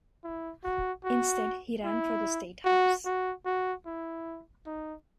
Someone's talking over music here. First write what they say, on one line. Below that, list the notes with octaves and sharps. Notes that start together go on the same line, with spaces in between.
Instead, he ran for the State House.
E4
F#4
F#4
E4
F#4
F#4
F#4
E4
D#4